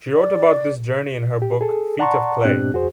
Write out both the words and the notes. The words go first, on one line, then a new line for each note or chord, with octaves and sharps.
She wrote about this journey in her book "Feet of Clay".
D5
G4
G#4 A4
D5 F#5 A5 A#5 C6 C#6
G#2 B2 C4 D4 G4 F#6
F2 F#4 G#4 C5